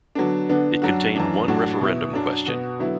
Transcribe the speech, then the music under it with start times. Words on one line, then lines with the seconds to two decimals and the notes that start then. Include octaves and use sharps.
It contained one referendum question.
0.15 D3 F#3 B3 D4
0.49 D3 B3 D4
0.82 F#2 F#3 D4 F#4
1.15 F#2 E3 D4
1.48 A2 F#3 D4 F#4
1.81 B2 B3 E4
2.14 F#2 F#3 D4
2.46 B2 B3 F#4
2.79 D3 F#3 B3 E4